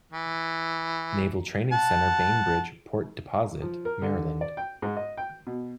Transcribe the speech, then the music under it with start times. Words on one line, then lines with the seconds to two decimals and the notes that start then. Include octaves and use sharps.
Naval Training Center Bainbridge, Port Deposit, Maryland.
0.13 E3
1.72 F#5 A5
3.62 F3
3.85 A#4
4.02 D3
4.41 D5
4.57 G5
4.82 G#2
4.97 D#5
5.17 G5
5.47 B2